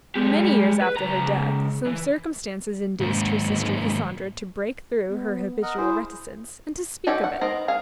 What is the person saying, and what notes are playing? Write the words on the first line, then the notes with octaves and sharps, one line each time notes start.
Many years after her death, some circumstances induced her sister Cassandra to break through her habitual reticence, and to speak of it.
G#3 G4
B4
C#2 A#5
E3
D#2 G#2
B3
A#4 D#5 F#5
E4 G#4 C5
D#4 F#4 G4 A4 C#5
F#5
B3 C4 D#4 A#4 A#5
G#4 F5